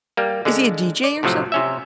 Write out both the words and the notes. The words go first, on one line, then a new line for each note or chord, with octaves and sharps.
Is he a DJ or something?
G3 A#3
D3 G#3
D5
A2 C3 F3 F#3
C3 C#4 E5